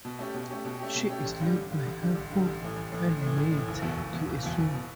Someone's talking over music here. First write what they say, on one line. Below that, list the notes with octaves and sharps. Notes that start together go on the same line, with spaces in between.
She is led by her four handmaids to a swing.
B2
A3 C#4 G4
B2
A3 C#4 G4
B2
A3 C#4 G4
B2
A3 C#4 G4
A1
G2 D3 G3
A1
G2 D3 G3
A1
G2 D3 G3
A1
G2 D3 G3
A1
A2 E3
A1
A2 E3
A1
A2 E3
A1
A2
E3
F#1
E2 B2
F#1
E2 B2
F#1
E2 B2
F#1
B2